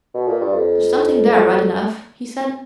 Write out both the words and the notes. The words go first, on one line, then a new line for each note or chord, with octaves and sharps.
"There's something there right enough," he said.
B2
A#2
G2
F2